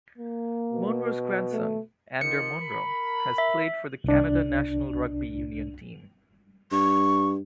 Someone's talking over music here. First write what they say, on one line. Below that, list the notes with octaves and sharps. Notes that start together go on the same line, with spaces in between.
Monro's grandson, Ander Monro, has played for the Canada national rugby union team.
A#3
B2
A3
D#3 F3 C#7
A#4 B5
E5
C2 D4
G2 C#6